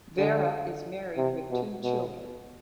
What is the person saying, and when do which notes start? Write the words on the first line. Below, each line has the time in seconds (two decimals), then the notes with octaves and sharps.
Vara is married with two children.
0.18 D3
1.17 C3
1.50 B2
1.83 B2